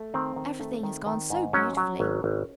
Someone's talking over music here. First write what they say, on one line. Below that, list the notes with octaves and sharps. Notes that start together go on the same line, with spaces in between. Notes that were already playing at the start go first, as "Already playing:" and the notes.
Everything has gone so beautifully.
Already playing: A3
D#3 C4
D#3
A3
D#3
D#3
G#2
F#3 C#4
F#3
G#1
G#1